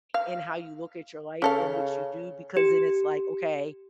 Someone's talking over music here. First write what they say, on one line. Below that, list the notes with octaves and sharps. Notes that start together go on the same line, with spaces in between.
in how you look at your life and what you do, because then it's like, okay,
F5
C#3 C#4 A4 F5
G4